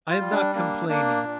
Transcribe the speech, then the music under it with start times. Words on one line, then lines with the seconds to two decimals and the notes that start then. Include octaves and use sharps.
I am not complaining.
0.09 F4
0.20 G3
0.32 D4
0.55 A#3 D4
0.89 A#3 D4
1.24 A#2